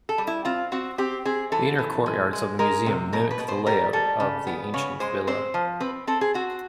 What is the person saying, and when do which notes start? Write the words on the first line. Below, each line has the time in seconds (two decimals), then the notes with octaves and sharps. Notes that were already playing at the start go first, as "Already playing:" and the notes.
The inner courtyards of the museum mimic the layout of the ancient villa.
0.09 A4
0.18 G3
0.27 E4
0.45 C4 F4
0.72 C4 F#4
0.98 C4 G4
1.25 C4 G#4
1.52 E3 A4
1.79 E3
2.06 G#3
2.33 G#3
2.59 G#3 A#4
2.86 C3
3.13 B2 A#4
3.31 B4
3.39 B2
3.48 C5
3.66 G3 A#4
3.93 G3 A4
4.20 C#3
4.47 B3
4.74 C#3 C#5
5.00 G#3 C5
5.27 C4 C5
5.54 F3
5.80 C4 B4
6.07 C4 A4
6.21 G#4
6.34 C4 F#4